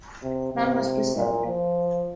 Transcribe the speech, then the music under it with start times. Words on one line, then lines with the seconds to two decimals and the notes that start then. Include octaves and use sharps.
None was preserved.
0.23 C3
0.53 C3
1.16 A#2
1.46 F3